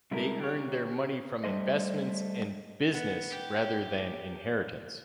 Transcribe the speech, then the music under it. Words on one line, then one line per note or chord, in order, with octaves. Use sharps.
They earned their money from investments and business rather than inheritance.
C3 G3 G#3 E4 A4 A#4
G4 C#5
G3 A3 C5 D#5
B3
G4